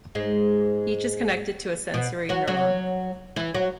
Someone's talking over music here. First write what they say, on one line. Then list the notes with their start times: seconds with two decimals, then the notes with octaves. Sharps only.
Each is connected to a sensory neuron.
0.15 G#2 G#3
1.94 B2 B3
2.29 F#3 F#4
2.48 F#3 F#4
3.36 E3 E4
3.54 F#3 F#4